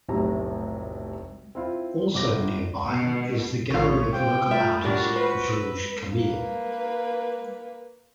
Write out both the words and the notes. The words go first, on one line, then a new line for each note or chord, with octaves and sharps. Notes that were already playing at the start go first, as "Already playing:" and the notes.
Also nearby is the gallery of local artist Georges Camille.
F1 B1 A2 C3 A#5
C4 E4 F4
G1 D6 A#6
B2
A#1 A2 D#3 A3 F4 C#5
C5 F5 G5 D6
A3 F4 E5 B5 F6
A2 D#3 D4 F#4 G4 A#4
B4 C5
E6
A#3 B4